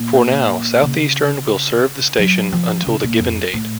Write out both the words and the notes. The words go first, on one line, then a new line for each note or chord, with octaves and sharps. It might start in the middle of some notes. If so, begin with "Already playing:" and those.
For now Southeastern will serve the station until the given date.
Already playing: A#2
C#3
F#3
F3
C#3
A#2
F2
A2